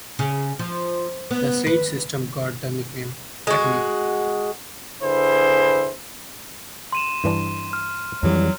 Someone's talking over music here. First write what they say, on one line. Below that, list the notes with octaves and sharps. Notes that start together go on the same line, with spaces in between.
The Sage system got the nickname "Agony".
C#3
F3
B3
B4
G#3 F#4
D3 E4 G#4 B4 C5
C6 D#7 E7
G2 E3 D4
F6
F2 E3 F#3 G3